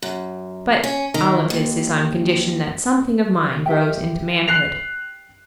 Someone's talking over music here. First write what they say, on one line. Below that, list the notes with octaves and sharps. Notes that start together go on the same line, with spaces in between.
But all of this is on condition that something of mine grows into manhood.
F#2
C#4
D#3
D#2
G4 E5 G5
F#6 C7 F7